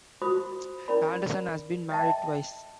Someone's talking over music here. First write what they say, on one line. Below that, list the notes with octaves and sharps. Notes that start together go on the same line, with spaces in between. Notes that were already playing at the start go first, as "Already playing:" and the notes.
Anderson has been married twice.
F4 F#4 C5 B5 D#6
C#4 E4 A#4 D5 B5
D#5 E5 G5 A5